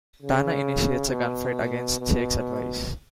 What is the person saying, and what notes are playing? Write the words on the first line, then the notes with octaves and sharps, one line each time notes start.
Tanner initiates a gunfight against Jake's advice.
C#3
B2
B2